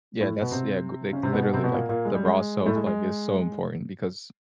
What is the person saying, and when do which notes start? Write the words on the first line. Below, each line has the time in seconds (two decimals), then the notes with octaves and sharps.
Yeah, that's yeah, g like, literally, like, the raw self, like, is so important because,
0.21 A2 A3
0.41 B2 B3
0.51 C3 C4
1.13 C#3 C#4
1.23 C3 C4
1.33 B2 B3
1.43 B2 B3
1.53 C3 C4
1.64 B2 B3
1.73 A#2 A#3
1.89 A#2 A#3
2.05 G#3
2.15 G3
2.25 G#3
2.66 A2 A3
2.76 G#3
2.87 G#3